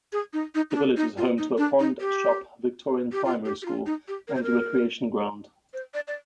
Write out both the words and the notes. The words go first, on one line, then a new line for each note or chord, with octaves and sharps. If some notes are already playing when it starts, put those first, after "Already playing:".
The village is home to a pond, shop, Victorian primary school, and recreation ground.
G#4
D#4
D#4
D#4
D4
D#4
F4
D#4
D4
D#4
G4
G4
F4
G4
G4
F4
D#4
G4
A#4
C5
A#4
C5
D5
D5